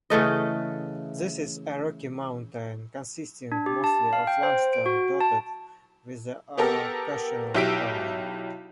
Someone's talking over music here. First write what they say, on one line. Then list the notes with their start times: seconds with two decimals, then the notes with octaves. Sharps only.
This is a rocky mountain, consisting mostly of limestone, dotted with the occasional pine.
0.10 C#3 E3 A3 D#5
3.52 D4
3.66 G4
3.84 A5
4.13 F5
4.27 G5
4.43 C5
4.73 D7
4.86 F#4
5.21 A5
6.58 B3 G4 A4 A#4
7.55 B1 E4 G4 E6 B6 D7